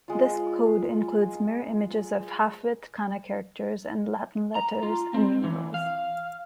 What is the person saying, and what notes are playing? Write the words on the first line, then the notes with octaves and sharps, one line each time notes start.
This code includes mirror images of half-width kana characters and Latin letters and numerals.
G#3 F4
A#5
F4
C4
E3
F5